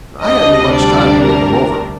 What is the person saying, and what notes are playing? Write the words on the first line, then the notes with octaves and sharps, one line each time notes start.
I hadn't much time to look him over.
D2 C3 G3 D4 D#5
D5
A#4